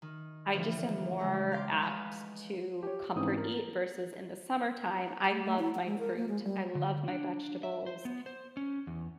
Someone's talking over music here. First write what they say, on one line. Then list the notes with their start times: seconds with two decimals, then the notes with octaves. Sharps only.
I just am more apt to comfort eat versus in the summertime; I love my fruit, I love my vegetables,
0.02 D#3
0.53 A2 D3 E3 F3
1.18 C#3 G#3 G4 A#5
1.52 F5 C6 D6
1.82 B4 D#5 F5 F#5
2.83 G4 C#5
3.16 G#2 E3 C4 C#4 D#6
3.38 A#4
5.31 A3
5.44 A3
5.59 E4
5.75 F#5
5.86 G#3
5.99 A#4
6.16 A#3
6.28 G#3
6.44 G3
6.75 D3
7.08 D4
7.63 E5
7.86 C5
8.05 B3
8.26 C5
8.57 C#4
8.87 E2